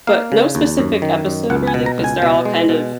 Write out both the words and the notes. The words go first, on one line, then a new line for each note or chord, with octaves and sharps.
But no specific episode really, 'cause they're all kind of
A#3 F5
C#3
D#2
F#2
D#3
F#2
C#2 F#5
G#5
B2
A#5
C#2
G#5
B2
G#3
B2